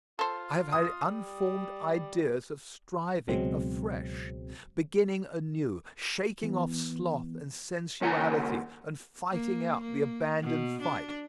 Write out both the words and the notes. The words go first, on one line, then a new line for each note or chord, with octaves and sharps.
I have had unformed ideas of striving afresh, beginning anew, shaking off sloth and sensuality, and fighting out the abandoned fight.
F4 A4 C5
D#6
G3
C#2 B2 F#3 G#3 C4
E3 B3
D#2 C#3 F#5 G#5 A#5
A#3
A#3
B2
D4